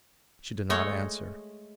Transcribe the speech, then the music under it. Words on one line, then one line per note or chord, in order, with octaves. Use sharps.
She did not answer.
G#3 A3 C#5